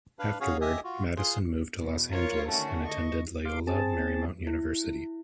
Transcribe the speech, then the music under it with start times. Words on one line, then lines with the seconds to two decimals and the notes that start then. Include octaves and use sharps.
Afterward, Madison moved to Los Angeles and attended Loyola Marymount University.
0.19 D4 B4 F5
0.40 C#4 F#4 G#4 C#5 F5
0.61 G4 D#5 E5 G#5 D#6
0.84 F4 F#4
1.17 F4 G#4 C6
1.79 E2 B2
2.10 F4 A#4 C#5
2.50 D3 D#3 A3 C#4 F#4
2.85 D#5 C#6
3.45 F5 C6 D6
3.67 C4 G#4 A5
4.47 E4